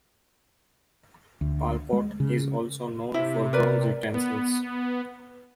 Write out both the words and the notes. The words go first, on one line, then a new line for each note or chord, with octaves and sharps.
Palkot is also known for bronze utensils.
D2
G#3
C#3
C3 E4 E5
A#4 B4 D5
B3